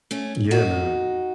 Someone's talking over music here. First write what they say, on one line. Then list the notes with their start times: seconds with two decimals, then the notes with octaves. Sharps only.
Yeah, man.
0.11 A3 C#4
0.51 D#4 F#4